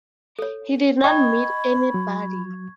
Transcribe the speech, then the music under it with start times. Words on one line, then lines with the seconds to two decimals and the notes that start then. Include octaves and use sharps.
He did not meet anybody.
0.39 A4 C#5
1.04 D#5 G5 B5 C#6 G#6
1.94 F#3